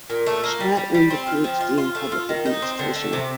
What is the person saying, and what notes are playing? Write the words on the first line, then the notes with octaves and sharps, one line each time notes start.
Shelat earned a PhD in public administration.
A#2
A3
A#3
G3
G3
G3
C4
F4
F3
F4
F4
A3
F4
D#3
D#4
C4
D3
A3
C3